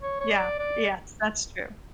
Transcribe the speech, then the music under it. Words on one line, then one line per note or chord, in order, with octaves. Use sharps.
Yeah, yes, that's true.
C#5
C#5
D5
D5